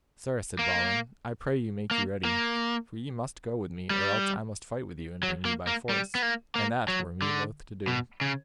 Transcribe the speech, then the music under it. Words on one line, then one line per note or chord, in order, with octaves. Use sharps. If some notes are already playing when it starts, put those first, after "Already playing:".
Sir, said Balin, I pray you make you ready, for ye must go with me, or else I must fight with you and bring you by force, and that were me loath to do.
A#3
A#3
A#3
G3
F#3
A#3
A#3
G3
B3
A#3
A#3
F#3
D3
B2
C#3